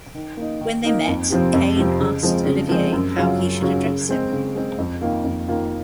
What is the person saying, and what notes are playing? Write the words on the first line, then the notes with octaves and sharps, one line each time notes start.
When they met, Caine asked Olivier how he should address him.
D#3
A#3 D#4
D#3
A#3 D#4
F2
C3 F3 C4
F2
C3 F3 C4
C#3
F3 G#3 C4
C#3
F3 G#3 C4
F#2
C#3 F#3 C#4 F4
F#2
C#3 F#3 C#4 F4
C#3
G#3 C4
C#3
G#3 C4
F2
D#3 A#3 F4
F2
D#3 A#3 F4